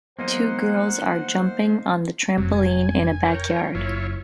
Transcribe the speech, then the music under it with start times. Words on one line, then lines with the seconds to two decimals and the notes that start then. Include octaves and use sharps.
Two girls are jumping on the trampoline in a backyard.
0.19 E3 F#3 G#3 A#3 B3 D#4 C5 F#5
2.38 F1 F#2 C3 F#3
2.53 G#5
3.25 A#4 C#5 G5
3.75 F#1 E4 F4 C#5